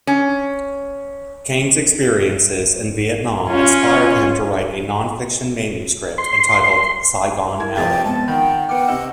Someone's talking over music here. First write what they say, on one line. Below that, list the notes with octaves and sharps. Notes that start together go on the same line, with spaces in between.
Cain's experiences in Vietnam inspired him to write a non-fiction manuscript entitled "Saigon Alley".
C#4
C#4 F4
C6
E4 A#4 G#6
F1 F2 G#4 E5 G5 A6
G#3 B3 A5
D#3 F#5 G5 B5
B3 F#5 D6 F6 C#7
C3 D#5 E6